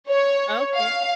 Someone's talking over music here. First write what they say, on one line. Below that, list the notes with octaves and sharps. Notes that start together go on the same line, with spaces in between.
Oh, okay.
C#5
F5